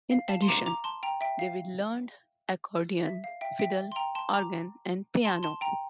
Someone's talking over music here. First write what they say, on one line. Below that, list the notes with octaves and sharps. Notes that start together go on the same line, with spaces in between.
In addition, David learned accordion, fiddle, organ, and piano.
F5
F5 A5
C6
A#5 D6
A#5 D6
A5 C6
G5 A#5
E5 G5
F5
E5
F5
E5 G5
E5 G5
C6
G5 A#5
A5 C6
A#5 D6
A5 C6
A5 C6
G5 A#5